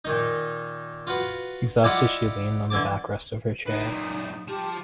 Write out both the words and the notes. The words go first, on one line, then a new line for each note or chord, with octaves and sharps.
Exhausted she leaned on the backrest of her chair.
A#2 D#3 D#4
F4 F#4 B4
E4 F4 G4 D5 D#5 F#5
D3 E3 G#5 A5 D6
D#4 B4 D#5
F#2 A#2
F4 G4 A5